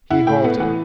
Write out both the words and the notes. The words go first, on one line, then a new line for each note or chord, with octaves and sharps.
He halted.
E4 F#5
A2 G5
B3 F#5
E3 F#5